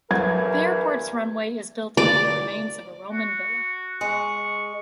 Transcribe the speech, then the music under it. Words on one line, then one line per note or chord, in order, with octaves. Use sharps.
The airport's runway is built over the remains of a Roman villa.
E2 G2 E3 F#3 A#4 G#6
D5
F#4
G#3 C#6